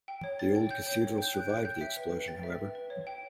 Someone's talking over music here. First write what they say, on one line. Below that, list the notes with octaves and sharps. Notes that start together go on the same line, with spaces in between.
The old cathedral survived the explosion, however.
G5
C#5
C#5 A6
G5
G5 G6
C#5
C#5
G5 G6
G5 F#6
C#5 G6
G5 G6
E5
B4
B4
G5 A6
E5
B4
B4
C#5
G5